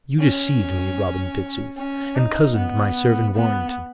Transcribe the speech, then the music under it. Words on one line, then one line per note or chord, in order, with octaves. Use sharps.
You deceived me, Robin Fitzooth, and cozened my servant Warrenton.
C#4
C#4
D#4
B3
B3